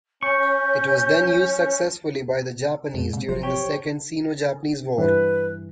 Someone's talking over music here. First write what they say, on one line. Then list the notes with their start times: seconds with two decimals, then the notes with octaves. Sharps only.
It was then used successfully by the Japanese during the Second Sino-Japanese War.
0.23 C#4 C#6 G6
2.94 F2 A#2 G#3
3.13 C3
3.28 G#1 F3 F#3 C5
3.43 G4 C#5
4.98 G2 E3 B4